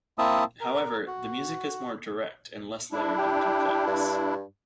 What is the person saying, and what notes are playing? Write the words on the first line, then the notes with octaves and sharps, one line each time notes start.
However, the music is more direct and less layered and complex.
A#3 C4 E4 E5 A5 D#6
A#4
F#4
D4 E4
G4
G2